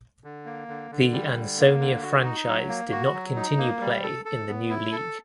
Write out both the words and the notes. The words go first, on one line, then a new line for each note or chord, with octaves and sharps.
The Ansonia franchise did not continue play in the new league.
D3
A#3
D3
D3
G3
D3
A#3
D3
F#4
D#4
F#3
A#3
F#4
F#3
D#4
A#3
G3
A4
A4
B3
E4
A4